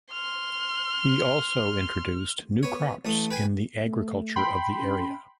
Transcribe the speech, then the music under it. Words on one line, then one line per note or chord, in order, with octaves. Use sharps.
He also introduced new crops in the agriculture of the area.
C6 F6
B3 C#5
A1 A3 D#6
B4 G5 G#5
A3
G5 B5 C6
C#4